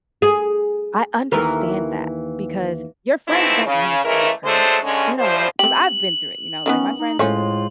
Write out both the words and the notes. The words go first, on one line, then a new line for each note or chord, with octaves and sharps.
I understand that, because your friends don't wanna see you hurt. They don't wanna 'cause I've been through it, you know? Like, my friends
G#4
D#2 E3 A#4
G#2 B2 F3 C4 D#4 E4
C#3
C#3 E3 G#3 A3 E4 A#4
F#3 G#3 A3 D4 A4 C5
G2 D3 G#3 C#4
F#2 F3 G3 E4 C5
C4 G4 F#7
D#3 A#3 B3 C#4
D#4
A2 G#3 A3 C#4 F4 C5